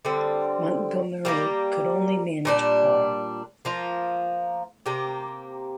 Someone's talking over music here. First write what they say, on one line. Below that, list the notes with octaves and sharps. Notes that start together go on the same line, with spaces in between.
Montgomerie could only manage par.
D3 G3 C4
G3 A#3 G4
A#2 G3 D4
F3 A#3 F4
C3 A#3 G4